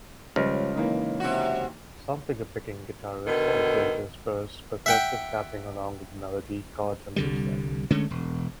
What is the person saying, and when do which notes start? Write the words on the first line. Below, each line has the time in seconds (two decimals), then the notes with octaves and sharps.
Some fingerpicking guitarists also intersperse percussive tapping along with the melody, chords and bassline.
0.36 C#2 F3 G3 F6
0.76 E3 A#3 D#4
1.20 C3 F#4
3.27 B2 D3 D#3
4.86 E5 F#5 G5
7.16 C2 D3 G3
7.91 D3 G#3 A3 C#4
8.11 E1